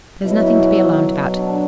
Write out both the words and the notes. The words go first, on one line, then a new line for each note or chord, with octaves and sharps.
There's nothing to be alarmed about.
B2 F#3 E4
D4